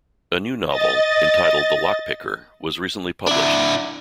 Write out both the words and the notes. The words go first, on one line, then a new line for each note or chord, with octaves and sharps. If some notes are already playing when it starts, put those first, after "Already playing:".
A new novel, entitled "The Lockpicker", was recently published.
D#5 A6
D4 E4